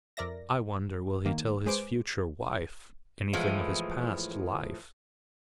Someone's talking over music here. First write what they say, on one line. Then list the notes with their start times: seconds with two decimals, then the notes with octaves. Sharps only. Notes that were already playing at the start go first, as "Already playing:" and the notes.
"I wonder will he tell his future wife anything of his past life."
0.17 F2 A#4 D5 E5 A#6
1.26 D#3 A#3
1.66 G#3 G#4 B4 C5 D6 D7
3.33 A2 E3 F3 G#3